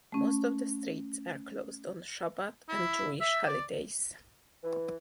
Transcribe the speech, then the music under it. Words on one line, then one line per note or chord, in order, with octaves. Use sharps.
Most of the streets are closed on Shabbat and Jewish holidays.
A3 C#4
E4
E5
D5
E3